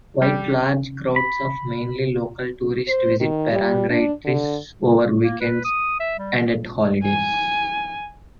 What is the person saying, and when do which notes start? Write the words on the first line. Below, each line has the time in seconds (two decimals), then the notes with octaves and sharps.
Quite large crowds of mainly local tourists visit Parangtritis over weekends and at holidays.
0.22 G3
1.16 B5
2.88 C5
3.20 D#3
3.51 G3
3.90 D4
4.25 D3
5.23 A#3
5.41 B4
5.65 D#6
6.00 E5
6.19 G3
7.04 G#5